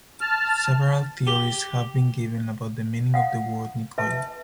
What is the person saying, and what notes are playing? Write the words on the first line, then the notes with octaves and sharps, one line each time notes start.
Several theories have been given about the meaning of the word Nicoya.
A5 F6
G4
F5 F#5
B4 E5 A5